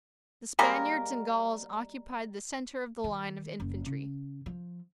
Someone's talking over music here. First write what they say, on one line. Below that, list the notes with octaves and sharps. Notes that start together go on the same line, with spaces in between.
The Spaniards and Gauls occupied the centre of the line of infantry.
G3 G#3 A#3 A#4
D#3
F#1
C#3
F3